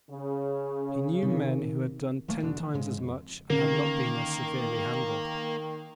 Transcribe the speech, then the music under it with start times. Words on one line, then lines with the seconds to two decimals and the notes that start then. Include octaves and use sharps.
He knew men who had done ten times as much and had not been as severely handled.
0.10 C#3
1.22 C3 D#3
2.28 A#1 E3 A3 A#3
2.42 E2 B2 D3 D4
2.60 E3
2.74 G#2 C#3 G#3
2.96 F2
3.50 D3 D#3 A#3 C#4 A#4